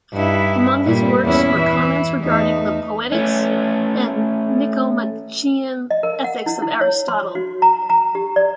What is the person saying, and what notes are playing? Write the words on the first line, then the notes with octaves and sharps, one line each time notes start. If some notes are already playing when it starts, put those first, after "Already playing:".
Among his works were comments regarding the "Poetics" and "Nicomachean Ethics" of Aristotle.
G2 D#4 E4
A#2 G3
E2 C#4 E4
E3
E2 A3 D#4
A3 C#4
D#5
A#4
F#5
E4
E4
C#5
C6
F#4
A#5
A#5
G4
D5